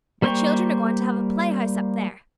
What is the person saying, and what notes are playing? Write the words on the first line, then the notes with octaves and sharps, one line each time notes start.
My children are going to have a play-house up there.
G3 A#3 C5 G5 C#6